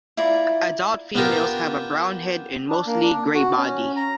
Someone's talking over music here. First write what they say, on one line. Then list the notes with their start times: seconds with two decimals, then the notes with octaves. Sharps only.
Adult females have a brown head and a mostly grey body.
0.17 E4 F4 D5 A#5
1.15 B3 D4 F4 G4 A#4
2.68 D4
2.87 A#3
3.03 D4
3.34 F#4
3.57 C#4
3.96 A#5